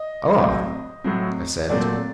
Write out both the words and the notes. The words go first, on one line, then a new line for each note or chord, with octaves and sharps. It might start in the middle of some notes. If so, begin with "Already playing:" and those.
"Oh!" I said.
Already playing: D#5
A2 F#3 C4
A2 F#3 C4
A#2 F#3 A3 C4 D5